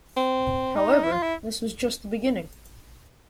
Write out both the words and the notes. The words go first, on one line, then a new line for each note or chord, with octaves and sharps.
However, this was just the beginning.
C4
D#4
E4
F4
E4